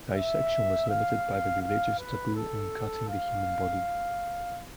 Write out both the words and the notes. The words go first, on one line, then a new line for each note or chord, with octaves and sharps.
Dissection was limited by the religious taboo on cutting the human body.
E5
F5
F5
B4
A4
F5